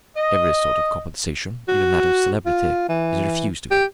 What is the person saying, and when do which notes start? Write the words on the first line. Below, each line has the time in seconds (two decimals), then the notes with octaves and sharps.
Every sort of compensation, even that of celebrity, is refused to him.
0.17 D#5
1.68 F#4
2.46 F4
2.89 E3
3.71 G4